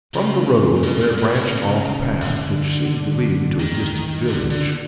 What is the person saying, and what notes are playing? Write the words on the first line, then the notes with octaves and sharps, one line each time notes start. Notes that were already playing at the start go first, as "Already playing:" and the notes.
From the road there branched off a path which seemed to lead to a distant village.
C#3
B2
A#2
A#2
B2
C#3
D3
D#3
D3
D3